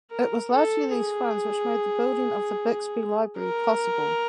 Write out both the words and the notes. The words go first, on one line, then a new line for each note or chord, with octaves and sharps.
It was largely these funds which made the building of the Bixby Library possible.
A#4
A4
G#4
A#4